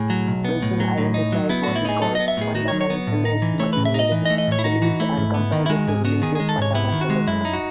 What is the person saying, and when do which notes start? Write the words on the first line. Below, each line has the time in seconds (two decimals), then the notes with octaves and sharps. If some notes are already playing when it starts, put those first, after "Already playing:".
Wilson identifies what he calls "Fundamentalist Materialism" belief and compares it to religious fundamentalism.
Already playing: A2 G#4
0.10 F#3
0.27 B1
0.45 B3
0.62 A2
0.80 F#3
0.98 A2
1.14 D#4
1.32 F#3
1.49 B3 E4
1.63 A2 F#4
1.75 E4
1.85 D#4 G#4
2.02 F#3 A4
2.15 B3 D#5
2.28 E5
2.37 A2 G#4
2.55 D#4 F#4
2.68 C#5
2.72 F#3
2.81 C#5
2.90 B3
3.07 A2
3.25 D#4
3.42 E3
3.60 A3 C#5
3.73 A2 B4
3.85 E5
3.94 D#4 D#5
4.12 E3
4.26 D#5
4.30 A3
4.38 D#5
4.47 A2 C#5
4.59 E4
4.64 D#4 F#4
4.82 E3 F#4
5.00 A3 E4
5.17 G#2
5.34 B3
5.52 D#3
5.66 E4
5.70 G#3 F#4
5.87 G#2 G#4
6.05 B3 F#4
6.22 D#3 G#4
6.35 G#3 G#4
6.49 A4
6.58 G#2 C#5
6.75 B3 E4
6.92 D#3
7.01 F#4
7.10 G#3
7.27 F#2 E4
7.45 D#4
7.53 F#4